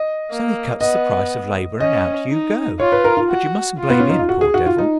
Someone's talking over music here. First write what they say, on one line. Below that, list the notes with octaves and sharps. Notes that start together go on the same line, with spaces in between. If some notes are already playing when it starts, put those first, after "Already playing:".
So he cuts the price of labour and out you go. But you mustn't blame him, poor devil.
Already playing: D#5
A#3
B3 D#5
C#4 D#5
D#4
F4 C#5
B4
A#4
F4
F#4
F4
B3
C#4
D#4
F4
F#4
G#4
F#4
F4
D#4